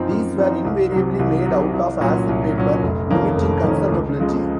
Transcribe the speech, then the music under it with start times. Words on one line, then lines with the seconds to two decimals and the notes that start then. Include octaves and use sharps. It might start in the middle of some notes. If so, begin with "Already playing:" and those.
These were invariably made out of acid paper, limiting conservability.
Already playing: F#2 F3 C4 D#4
0.10 F#2
0.37 F3 C4 D#4
0.65 C2
0.92 C3 F#3
1.19 C2
1.46 C3 F#3
1.74 C2
2.01 A#2 F#3 C#4
2.29 C2
2.56 A#2 F#3 C#4
2.83 F1
3.10 F2 D#3 A#3 C#4
3.37 F1
3.64 F2 D#3 A#3 C#4
3.92 C#2
4.19 C#3 F3 G#3